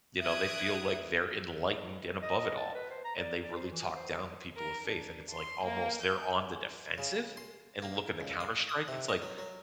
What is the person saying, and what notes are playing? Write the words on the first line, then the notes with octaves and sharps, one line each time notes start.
You know, they feel like they're enlightened and above it all and they really talk down to people of faith, and it's like almost they're on the defensive and looking to counterstrike, it's like,
E5 D#6 F#6 G#6 D7
D#5
D#5
A5
B4
C5
A#5
D5
D5
C5
E3
C5
A#4
D4
C6
A#3
G6
C#3
C6
A#3
C#2
F5
D#6
C3
D#5
F#3
F#3